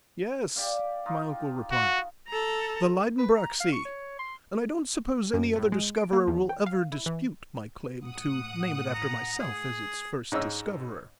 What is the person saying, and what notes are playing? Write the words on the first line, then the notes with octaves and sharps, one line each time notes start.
"Yes," my uncle replied, "the Liedenbrock Sea; and I don't suppose any other discoverer will ever dispute my claim to name it after myself as its first discoverer."
G4 D5 F5
D#4 F4
F#4
A4 A#5
B4
A#5
F5
C#6
C#5
C6
F#2
A2
G#3
D7
A#3
E2
G5
F5
E4
E3
A2 F#5 D#6
A#5
G#4
G#2 C#4 D#5 E6